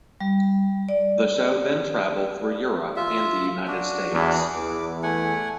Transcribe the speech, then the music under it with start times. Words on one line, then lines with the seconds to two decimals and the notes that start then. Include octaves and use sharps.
The show then traveled through Europe and the United States.
0.21 G3
0.89 D5
2.96 F4 E5
3.67 D4 F#4
4.12 E2
4.53 E2 D6
5.03 A3 F#5 G#5